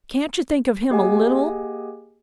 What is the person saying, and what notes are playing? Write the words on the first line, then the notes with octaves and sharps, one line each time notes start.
Can't you think of him a little?
A#3 G4 G#4 D#5 F#5 G#5